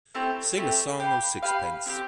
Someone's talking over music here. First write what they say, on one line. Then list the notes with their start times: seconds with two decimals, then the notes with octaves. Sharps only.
Sing a song o' sixpence!
0.15 A3 C4 E4 G4
0.57 A3 C4 E4 G4
1.00 G4 B4 F5
1.43 G4 B4 F5
1.86 C4 E4
1.89 G4